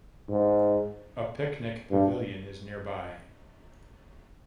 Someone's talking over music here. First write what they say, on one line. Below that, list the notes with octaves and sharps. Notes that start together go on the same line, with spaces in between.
A picnic pavilion is nearby.
G#2
G2